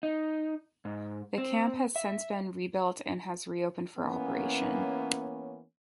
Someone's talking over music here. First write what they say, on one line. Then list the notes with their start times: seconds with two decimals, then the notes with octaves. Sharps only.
The camp has since been rebuilt and has re-opened for operation.
0.03 D#4
0.85 G#2
1.38 C4
1.96 E5
3.97 E3 A#3 B3 C#4